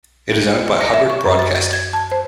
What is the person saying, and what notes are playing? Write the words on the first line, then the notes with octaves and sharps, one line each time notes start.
It is owned by Hubbard Broadcasting.
A#6
E5
C#6
F#2
A6
A6
G#6
A5
C5